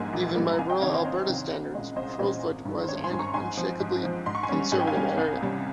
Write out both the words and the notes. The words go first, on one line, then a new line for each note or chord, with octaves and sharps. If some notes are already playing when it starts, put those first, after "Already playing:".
Even by rural Alberta standards, Crowfoot was an unshakably conservative area.
Already playing: A#1 G#2 G3 A#3 G#5 C6
A#1
G#2 G3 A#3
A#5
C2 F5 G#5
D#5 G5
C3 D#3 C#5 F5
C5 D#5
C2 C#5
C3 D#3
C2
A#2 G#3 C#4
C2 C5 D#5
A#2 G#3 C#4
G#1
G2 D#3
C5
G#1 C#5
G#5 C6
G2 D#3
A#5 C#6
G#2 G#5 C6
F3 C4
G#2
F3 C4
G#2 C6
C#6
G#5 C6
G3 C#4
G#2 G#5
G5
F5 G#5
G3 C#4
C2
C3 G3 C#4